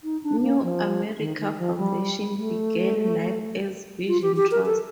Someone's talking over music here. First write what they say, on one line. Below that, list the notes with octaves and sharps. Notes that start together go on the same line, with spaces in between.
New America Foundation began life as Vision Trust.
D#4
D4
A#3
F3
D#3
D#3
F3
G3
A3
F4
G4
G4
A#4
A4